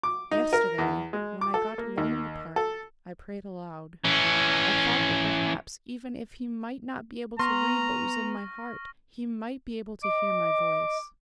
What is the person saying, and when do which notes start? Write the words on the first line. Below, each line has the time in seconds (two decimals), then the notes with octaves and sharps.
Yesterday, when I got alone in the park, I prayed aloud: I thought that perhaps, even if he might not be able to read what was in my heart, he might be able to hear my voice.
0.03 D6
0.31 D#4
0.53 A#4
0.78 E2
1.13 G#3
1.41 D6
1.54 A4
1.78 A#3
1.98 D#2
2.56 A4
4.04 E3 C#4
7.39 B3 A#5 C6 C#6 F6 A#6
10.04 D#5 D6